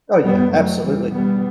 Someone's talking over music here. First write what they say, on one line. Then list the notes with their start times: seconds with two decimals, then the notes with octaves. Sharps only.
Oh yeah, absolutely.
0.23 F#2 G3 B3
0.52 F#3 A3
0.82 E2 B2 E3 G3
1.12 G3 B3